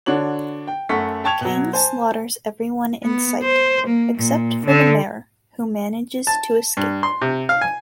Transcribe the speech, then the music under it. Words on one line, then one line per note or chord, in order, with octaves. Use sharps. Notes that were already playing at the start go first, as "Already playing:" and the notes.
Cain slaughters everyone in sight, except for the mayor who manages to escape.
D3 D4 F#4 C#5 F#7
G5
F#2 A3 F#5 C#6 B6
G5 A5 C#6 G#6 F7
B2 F#3
C5 G#5 A5
B3
C5
A#3
A#2
D3
A5
G2
C6
C3
F5
G#5